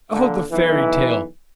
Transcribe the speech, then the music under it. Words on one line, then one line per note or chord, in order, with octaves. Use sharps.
"Oh, the fairy tale!"
A#2 D3
B1 E3